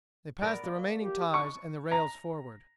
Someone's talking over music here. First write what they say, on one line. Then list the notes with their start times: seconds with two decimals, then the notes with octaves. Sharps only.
They passed the remaining ties and the rails forward.
0.42 B3 A#4 D5
0.64 A#3
1.01 G4
1.34 C#6
1.91 A#5